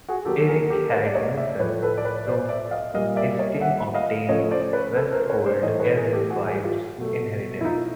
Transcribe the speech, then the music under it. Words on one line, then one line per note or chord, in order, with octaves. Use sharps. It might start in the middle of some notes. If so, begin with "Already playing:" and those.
Erik had no son, so Eystein obtained Vestfold as his wife's inheritance.
F#4 G#4
D3 F#3 A#3 G4 A4
G#4 A#4
A#4
G4 A4
B4 C#5
D5
C#5 D#5
D5 E5
D5
A2 F3 A3 B4 C#5
A4 B4
D5
B4 C#5
C5 D5
D5 E5
D#5 F5
A#2 G3 A#3 D#5 F5
D5 E5
C#5 D#5
E5 F#5
D#5 F5
C#3 F3 A3 C#5 D#5
C5 D5
B4 C#5
A4 B4
A#4 C5
C5
B4 C#5
C5 D5
A2 E3 A3 C#5 D#5
B4 C#5
G#4 A#4
G4 A4
F#4 G#4
F#4 G#4
F4 G4
B2 F#3 A3
E4
D#4 F4